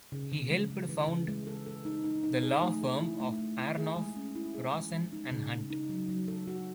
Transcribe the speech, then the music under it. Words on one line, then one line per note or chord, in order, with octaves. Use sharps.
He helped found the law firm of Aronoff, Rosen and Hunt.
C#3
C#3
G#3
C#3
E3
C#3
G#3
A4
A4
D#4
D#4
D#4
G#4
A3
G#4
E4
A3
A3
E4
G#4
G#3
C#4
E4
G#4
G#3
G#3
D#4
C#3
C#3
D#4
F#3
F#3
A4
F#4